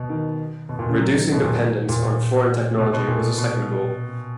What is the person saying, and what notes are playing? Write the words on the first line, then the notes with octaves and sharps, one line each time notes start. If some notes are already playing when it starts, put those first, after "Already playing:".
Reducing dependence on foreign technology was a second goal.
Already playing: B2
D#3
B2
A#2
C#3
F#3
D#3
B2
A#2
A#2
A#2
B2
B2
A#2
B2